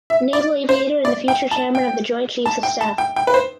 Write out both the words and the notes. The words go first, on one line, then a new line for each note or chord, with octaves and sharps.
Naval Aviator and the future Chairman of the Joint Chiefs of Staff.
E5
D5
C5
D5
G5
A5
G5
A5
G5
A5
G5
G5
B4
C5